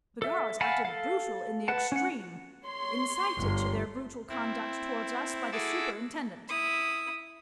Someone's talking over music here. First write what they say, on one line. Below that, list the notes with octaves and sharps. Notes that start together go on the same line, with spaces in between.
The guards acted brutal in the extreme, incited to their brutal conduct towards us, . . , by the superintendent.
A4 E5
F5 F#5 G#5 A5 B5
A4 F5
B4 F#5 A5
C#4 F#5
C#5 C6
G1
C4 E4
E4 F#4 G#4 A4 D6 E6
E4 D#6